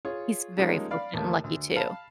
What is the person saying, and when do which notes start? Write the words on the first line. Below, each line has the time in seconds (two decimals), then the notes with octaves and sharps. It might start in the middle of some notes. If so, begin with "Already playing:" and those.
He's very fortunate and lucky, too.
0.05 F4 G#4 C#5
0.57 F3 G3 G#3 A#3 C#4 D#4
0.91 D5 F5 B5
1.14 D#2 A2 A3 A#3
1.44 D2
1.76 F5 A5 B5